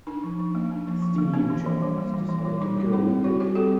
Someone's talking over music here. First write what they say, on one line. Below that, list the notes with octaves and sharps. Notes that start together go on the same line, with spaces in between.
Steve Jobs decided to go with it.
D4 D#4
F3
F3
A#3
D4
F3
F3
A#3
A#3 D4
E3
E3
G3
A#3
E3
E3
G3
G3 D#4
G3
C4 E4
C4
G3 F#4
G3 G4
C4 A4